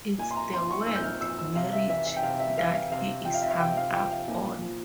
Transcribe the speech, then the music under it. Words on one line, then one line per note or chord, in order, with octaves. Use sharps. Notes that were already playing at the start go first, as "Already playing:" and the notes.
It's the word 'marriage' that he is hung up on.
A#2 G#5
C6
A#5
F3 C6
C#6
A#2 E6
G6
F6
F3 E6
E6
C3 F5
E5
E3 E5
E5
G5
C3 F5
E5
E3 F5
F5
C3 F5
F3 G5
F5
E5
F5
C3 G5
F5
F3 G5
F5
A#2
F3